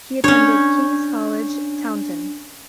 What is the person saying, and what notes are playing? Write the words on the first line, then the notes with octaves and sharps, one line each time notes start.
He attended King's College, Taunton.
C#4 D4 C#5 G6